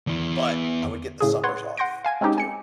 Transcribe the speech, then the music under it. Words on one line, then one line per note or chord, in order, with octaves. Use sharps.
but I would get the summers off, too.
E2 E3
A2 C#3 G#4
B4 C#5 F#5 C6
F#5 C6 G6 A#6 D7
F5 G#5 G#6
G#3 C4 C#4 D#4 G4
G#5 C#7